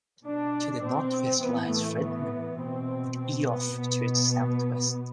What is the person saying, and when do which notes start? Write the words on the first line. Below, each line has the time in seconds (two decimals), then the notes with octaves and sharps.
To the northwest lies Fridman, with Ioffe to its southwest.
0.24 B2 D4
0.83 C4
1.40 A2 E3 B3
1.70 A3
1.99 B3
2.57 B2 C4
3.17 C4
3.46 B3
3.75 B2 B3